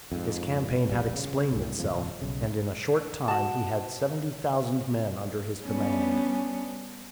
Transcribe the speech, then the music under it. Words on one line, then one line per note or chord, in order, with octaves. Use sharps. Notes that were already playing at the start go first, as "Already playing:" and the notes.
His campaign had explained itself, and in a short time he had seventy thousand men under his command.
F2 G#2
E1 A#1 G3
C#3
C2 A2
D#1 F2 F3
B1 C#3
F#4 A5
G3 B3 C#4 D4